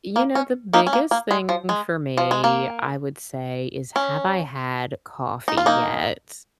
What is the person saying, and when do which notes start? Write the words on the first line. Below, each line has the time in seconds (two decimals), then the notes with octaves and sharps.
You know, the biggest thing for me, I would say, is have I had coffee yet?
0.16 A#3
0.35 C#4
0.73 A#3 D#4
0.87 C#4
0.93 A#3
1.11 A#3
1.31 G#3
1.49 F3
1.69 G#3
2.17 F3
2.31 G#3
2.44 A#3
3.96 C#4
5.48 D#4
5.57 F4
5.66 A#3 D#4